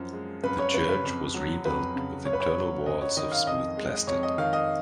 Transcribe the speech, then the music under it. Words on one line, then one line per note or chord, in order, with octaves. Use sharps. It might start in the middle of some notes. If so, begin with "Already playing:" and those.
The church was rebuilt with internal walls of smooth plastered.
Already playing: F#2 F3
G#3
F#2 B4
C#5
C#3 B4
B4
F2
F#3
F2 B4
C#3
F#2 C#5
B4
C#5
F#3
F#2 D#5
C#5
D#3 D#5
F5
F2 D#5
G#3
F2 C#5
D#5
D#3 F5
D#5